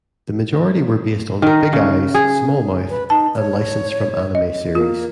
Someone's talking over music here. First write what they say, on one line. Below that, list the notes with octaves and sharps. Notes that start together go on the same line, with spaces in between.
The majority were based on "Big Eyes, Small Mouth" and licensed from anime series.
D#3 A#4
C#3
G#4
B4
D#4 A5
C#5
D#5
A#3 F4